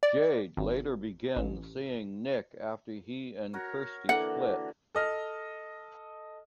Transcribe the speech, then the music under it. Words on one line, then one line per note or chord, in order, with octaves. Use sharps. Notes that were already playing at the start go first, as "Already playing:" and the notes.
Jade later begins seeing Nick after he and Kirsty split.
D5
G#1
A1
F#4 A#4 C#5
D3 E3 A#3 F#5
A4 D#5 F6